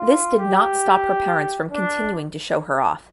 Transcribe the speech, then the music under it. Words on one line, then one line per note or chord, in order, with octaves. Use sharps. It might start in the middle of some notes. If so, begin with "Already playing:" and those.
This did not stop her parents from continuing to show her off.
Already playing: F4
G4
D4